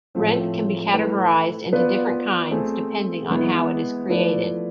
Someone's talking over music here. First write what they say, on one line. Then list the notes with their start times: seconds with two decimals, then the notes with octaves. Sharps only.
Rent can be categorised into different kinds depending on how it is created.
0.15 A2 F3 A3 C4
0.93 A3 E4 B4
1.73 B3 F4 B4 D5
2.51 A3 C4 G#4
3.29 E3 G#3 B3 E4
4.08 F3 A3 E4 B4 D5